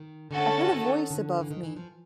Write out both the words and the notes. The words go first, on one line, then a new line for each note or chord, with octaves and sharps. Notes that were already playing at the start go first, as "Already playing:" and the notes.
I heard a voice above me.
Already playing: D#3
D3 A3 C#4 F#4 A4
D#3
D3
E3
D#3
E3
F3